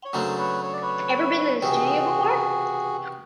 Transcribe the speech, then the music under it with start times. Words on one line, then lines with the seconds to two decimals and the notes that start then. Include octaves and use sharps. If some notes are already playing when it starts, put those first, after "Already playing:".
Ever been in a studio before?
0.05 C#5
0.13 C#3 F#3 A3 D4 A#4 C5
0.38 B4 C#5
0.63 C#5
0.73 D5
0.82 B4 C#5
1.62 C#2 C3 E3 F#4 G#4